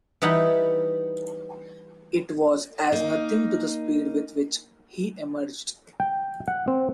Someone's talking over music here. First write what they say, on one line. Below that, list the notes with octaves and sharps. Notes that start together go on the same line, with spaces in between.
It was as nothing to the speed with which he emerged.
E3 G3 D#4 F#5 B5
A#3 D#4
G5
F#5
C4